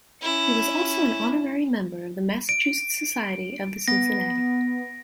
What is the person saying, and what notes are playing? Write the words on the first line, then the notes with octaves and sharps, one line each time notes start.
He was also an honorary member of the Massachusetts Society of the Cincinnati.
C#4 E4
D7
B3 A#6